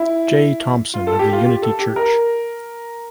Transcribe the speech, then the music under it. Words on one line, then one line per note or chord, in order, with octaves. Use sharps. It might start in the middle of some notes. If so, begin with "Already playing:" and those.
J. Thomson of the Unity Church.
Already playing: E4
F4
A4
G4
F4
G4
A4
G4
A#4